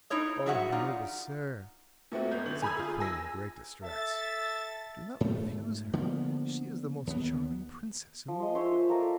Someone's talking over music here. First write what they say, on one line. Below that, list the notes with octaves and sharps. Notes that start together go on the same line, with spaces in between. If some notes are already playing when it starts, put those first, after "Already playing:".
"Oh! noble sir," said the Queen in great distress, "do not refuse her. She is the most charming Princess in the world."
D#4 E4 C#5 D#5
G2 F#3 F#4 G#4 E5 F#5
D#4 F4 D5
A#2 A3 C4 F#4
F#1 B3 G6
D3 F#7
G#5 A#5 B5 D#6 E6 G#6
F4 G#4
G#5 E6 A#6
A4 E5 A6
G#2 A3
D3 F3 A#3 B3
D#2 B3
F3
G#3 C6
C5 C#5 E5
A#3 F4 A4 A#4